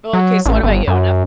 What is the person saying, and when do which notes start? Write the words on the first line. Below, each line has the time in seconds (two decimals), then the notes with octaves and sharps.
Oh, okay, so what about you? Enough
0.13 F#3
0.46 A1
0.63 G1
0.88 F#2